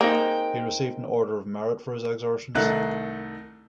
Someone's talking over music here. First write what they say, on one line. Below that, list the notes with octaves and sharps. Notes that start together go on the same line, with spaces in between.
He received an Order of Merit for his exertions.
G#3 A#3 C4 D#4 G5
C2 D#3 A3 D#4 F#6